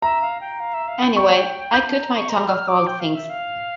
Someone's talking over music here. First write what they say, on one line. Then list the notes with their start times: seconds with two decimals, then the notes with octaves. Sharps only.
Anyway, I cut my tongue of all things.
0.02 E5 A#5
0.22 F5
0.41 G5
0.60 F5
0.74 E5
0.88 F5
1.02 G5
1.16 G5 C#6
1.73 F5 G6
1.87 A5
2.02 A#5
2.16 C#6
2.29 A#5
2.48 F6
2.68 D6
2.87 G5
3.00 F5
3.15 E5
3.29 F5